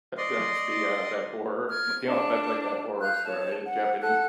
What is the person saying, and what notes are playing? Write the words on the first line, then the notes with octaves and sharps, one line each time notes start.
That's the, uh, that horror m you know? That's, like, that horror story, right? It's Japanese?
D5 D#5 C6
F6 G#6
D4 A5
F5 F#6 G6
C#5 A5
F#5
A4 F#5 F#6